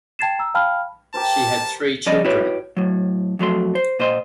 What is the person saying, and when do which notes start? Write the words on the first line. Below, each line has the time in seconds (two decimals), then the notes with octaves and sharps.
She had three children.
0.19 G5 A5 G#6 A6 C7 E7
0.39 A#5 E6
0.54 F5 G5 A5 B5 F6
1.14 G4 A#4 C5 A5
2.06 F3 G3 C#4 D5 D#5 B5
2.25 E4 F#4 G4 B4 C#5
2.77 A2 F#3
3.39 F2 F#3 A3 C6
3.75 C5
3.99 A#2 C5 D#5 C6